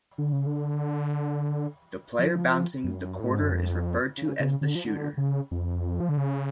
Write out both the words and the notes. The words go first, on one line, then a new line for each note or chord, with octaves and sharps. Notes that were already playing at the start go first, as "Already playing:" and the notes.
The player bouncing the quarter is referred to as the shooter.
D3
C#3
D3
F3
F#2
A2
G#2
F#2
F2
C#3
C#3
D3
F3
D3
C#3
F2
F3
D3
C#3